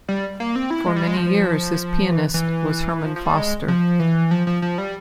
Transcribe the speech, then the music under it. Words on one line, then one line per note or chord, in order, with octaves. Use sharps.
For many years his pianist was Herman Foster.
G3
A#3
C4
E4
G#3
G3
G#3
F3
E3
E3
F3
F3
G3
G#3
F3
E3
F3
F3
F3
G3